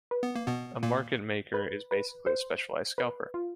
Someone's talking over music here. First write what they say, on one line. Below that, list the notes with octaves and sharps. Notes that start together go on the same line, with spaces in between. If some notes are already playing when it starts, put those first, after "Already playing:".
A market maker is basically a specialized scalper.
B4
B3
A#3
B2 B3
A#2 A#3
B4
B4
C5
B4
F4